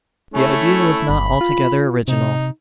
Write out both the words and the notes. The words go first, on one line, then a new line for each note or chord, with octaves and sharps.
The idea was not altogether original.
A3 C#4 E4
G1 B5
F4
C3 D#4